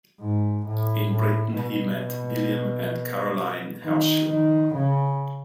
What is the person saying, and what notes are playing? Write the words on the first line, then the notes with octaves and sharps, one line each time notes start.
In Britain he met William and Caroline Herschel.
G#2
A2
A2
B2
D#3
D#3
C#3